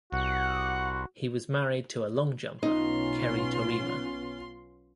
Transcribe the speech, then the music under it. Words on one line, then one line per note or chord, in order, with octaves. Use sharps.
He was married to long jumper Kerrie Taurima.
C2 F#4 F#5
B1 B3 C#4 D#4 F4 C6